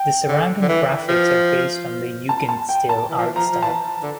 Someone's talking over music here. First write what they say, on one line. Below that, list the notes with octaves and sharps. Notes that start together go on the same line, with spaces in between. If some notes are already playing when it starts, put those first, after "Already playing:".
The surrounding graphics are based on the Jugendstil artstyle.
Already playing: G5
D3
D3
E3
F3
A5
A5
G5
A5
E3
F3
E3
F3 A#5
F3
E3 A5
D3